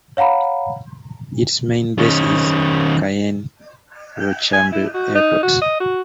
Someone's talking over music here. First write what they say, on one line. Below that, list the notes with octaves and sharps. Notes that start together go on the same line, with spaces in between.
Its main base is Cayenne-Rochambeau Airport.
C#5 F5 F#5 A#5 B5
D#3 C#4
G#5
E4
F#4
D#4
F#4
D#5
F#4